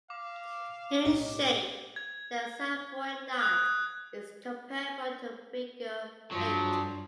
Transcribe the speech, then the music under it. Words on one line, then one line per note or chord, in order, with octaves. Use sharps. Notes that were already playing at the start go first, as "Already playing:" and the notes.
In shape, the Savoy knot is comparable to a figure eight.
F5 D6
B1 A2 G4 C#5 D#5
G#6
D#6 F#6 G#6
G2 F3 F#3